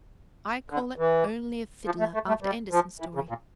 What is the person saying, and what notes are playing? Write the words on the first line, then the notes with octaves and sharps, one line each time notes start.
I call it "Only a fiddler", after Andersen's story.
D3
E3
F3
A3
A3
A3
G3
F3
E3
C#3
A#2